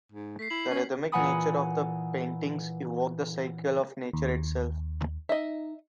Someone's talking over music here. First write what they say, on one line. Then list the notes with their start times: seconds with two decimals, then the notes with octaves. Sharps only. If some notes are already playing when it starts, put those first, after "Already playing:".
The rhythmic nature of the paintings evoke the cycle of nature itself.
0.12 G#2
0.39 A3 B6 C7
0.50 E4 F#7
0.70 C#4
1.12 A#2 E3 F#5 G#5 B5 D#6
4.13 D#2
5.29 D#4 D#5 E5